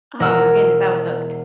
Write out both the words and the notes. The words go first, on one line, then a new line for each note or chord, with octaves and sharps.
oh my goodness, I was hooked.
E1 A#4 D#5 F#5 E6 F6